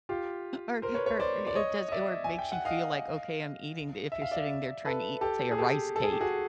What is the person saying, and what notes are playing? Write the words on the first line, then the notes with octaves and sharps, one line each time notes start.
Or or i it does or it makes you feel like, "Okay, I'm eating d" if you're sitting there tryna eat, say, a rice cake,
F4 G4
A#4 C5
B4 C#5
B4 C#5
C5 D5
D5
C#5 D#5
D#5
D5 E5
G#5
G5
F#5
D#5 F5
E5
F5
D5 E5
A4 B4
G4 A4
G#4
G4 A4
A4
G#4
G4
F#4 G#4